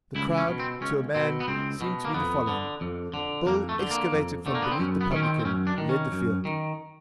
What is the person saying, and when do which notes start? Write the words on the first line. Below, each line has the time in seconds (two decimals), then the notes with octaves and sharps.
The crowd, to a man, seemed to be following. Bill, excavated from beneath the publican, led the field.
0.15 C#2 E4
0.38 C#4
0.48 B2
0.59 C4
0.81 C#2 C#4
1.14 B2 C4
1.40 B3
1.48 C#2 C4
1.81 B2
2.05 A#3
2.14 F2 B3
2.47 D3
2.81 F2
3.14 D3
3.46 F2 A#3
3.69 A3
3.80 D3
3.91 A#3
4.12 F2
4.46 D3 A3
4.55 A#3
4.62 B3
4.71 C4
4.79 F#2 C#4
5.01 B3
5.12 D#3 C#4
5.23 C4
5.39 C4
5.45 F#2 C#4
5.67 D4
5.78 D#3
5.89 C#4
6.12 F#2
6.45 D#3